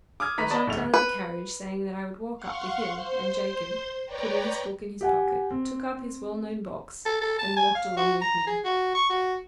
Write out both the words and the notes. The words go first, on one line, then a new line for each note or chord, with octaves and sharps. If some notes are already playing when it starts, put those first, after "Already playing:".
I jumped out of the carriage, saying that I would walk up the hill, and Jacob, putting his book in his pocket, took up his well-known box, and walked along with me.
D6 D#6 F6 G#6
D#3 B4 A#5 B5 B6
D5 D#5 A5 B5
D1 A3 F7
B4
F5 F#5 C6 C#6
C5 C6
B4 C#5 D5 G5 A#5
G4 F#5 G#5
C4
A4
A4
A5
G#5
F5
F#4
A#5
G#4
F#4
C#6
F#4